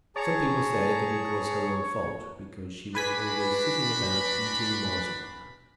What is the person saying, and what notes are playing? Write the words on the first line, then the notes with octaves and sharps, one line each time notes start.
Some people said that it was her own fault, because she was always sitting about eating marzipan.
G#4 C#5 A5 A#5
D4 F#4 B4 G#5 B5 B6